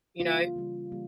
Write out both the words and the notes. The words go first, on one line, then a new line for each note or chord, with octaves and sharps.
you know?
C#3 E3 G3 A#3 F4
C#3 E3 G3 A#3
C#3 E3 G3 A#3